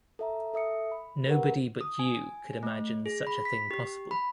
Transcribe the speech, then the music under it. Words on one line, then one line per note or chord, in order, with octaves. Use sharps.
Nobody but you could imagine such a thing possible.
A4 E5 A#5
A4 E5 D#6 C#7
B5
G4 A#4 B4 F#5
D#6
G#5
A3
G#4
B5
B6
G4
B5